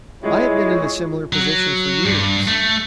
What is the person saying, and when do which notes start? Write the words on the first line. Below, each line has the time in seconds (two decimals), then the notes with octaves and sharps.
I have been in a similar position for years.
0.23 G#3 E4 F4 C#5
1.33 F#3
2.05 G2
2.48 A3